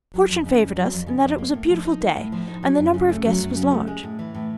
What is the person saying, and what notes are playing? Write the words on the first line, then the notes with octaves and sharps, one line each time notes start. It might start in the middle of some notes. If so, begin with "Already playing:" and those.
Fortune favored us in that it was a beautiful day and the number of guests was large.
F#3
F2
C#3
F2
F#3
F2
C#3
F2
A#3
A2
F3
D#4
A#3
A2
F3
D#4
F#3
F#2
C#3
A3
F#3
F#2
C#3
A3
G#3
A2
E3
A2